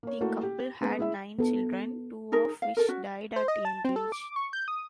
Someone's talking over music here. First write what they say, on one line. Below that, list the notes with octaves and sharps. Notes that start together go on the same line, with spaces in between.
The couple had nine children, two of which died at young age.
A#3 C#5
A3 A#3 E4 F#4 A4
G4
G#3 B3
G#3 E4 E5
B3 A4
D#4 G#4 A#4
F5
A4 A#4
C#4 F#4
C5
D#5
A5
C4
A4
D6
C#6
G6
D#6